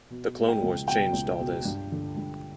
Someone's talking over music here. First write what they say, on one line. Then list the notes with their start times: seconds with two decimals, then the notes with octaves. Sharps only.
The Clone Wars changed all this.
0.10 B2
0.37 G#3
0.48 G5
0.62 C#2
0.88 B2 G5
1.13 C#2
1.39 B2
1.65 G2
1.92 D3
2.16 G2